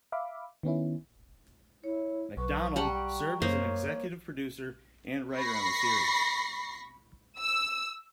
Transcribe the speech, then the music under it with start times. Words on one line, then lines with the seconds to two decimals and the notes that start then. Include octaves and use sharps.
MacDonald served as an executive producer and writer on the series.
0.12 E5 F5 B5 D6
0.63 D#3 B3 C#4 E4
1.84 E4 C#5
2.37 B1 F#3 B4 C#6
2.76 G3 F#5 A5 A#5 C#6
2.91 G5
3.42 F#2 A#3 C5 C#5 D#5
5.35 B5 C#6 A#6 C7
7.40 E6